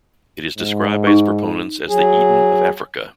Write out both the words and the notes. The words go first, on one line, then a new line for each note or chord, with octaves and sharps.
It is described by its proponents as "The Eton of Africa".
G#2
D#4
F#3 G#4